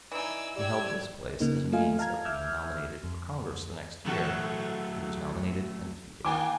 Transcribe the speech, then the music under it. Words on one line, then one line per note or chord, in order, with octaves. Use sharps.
He held this place as a means of being nominated for Congress the next year; he was nominated and defeated.
E3 D#4 D5 G#5 E6
G3 G4 D5 E6 G#6
C#3 A#3 D#4
A3 F4 A4 D#5 F5 G#5
F5 A5 A#5 F6 G#6
E5 D6 E6 F6 G6 G#6
F2
E3 F#3 A3 F#4 A4
D#3 A#3 G5 G#5 D6